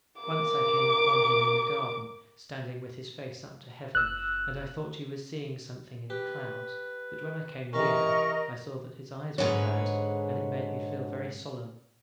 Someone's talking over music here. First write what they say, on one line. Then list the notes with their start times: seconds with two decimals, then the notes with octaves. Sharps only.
Once I came upon him in the garden, standing with his face up to heaven, and I thought he was seeing something in the clouds; but when I came nearer, I saw that his eyes were closed, and it made me feel very solemn.
0.21 A#4 D6
3.95 F#1 E6 F#6
6.10 G4 B4
7.73 C3 E3 C#4 A#4 D#5 A#5 C#6
9.38 G#2 D3 E3 G#3 B4 C#5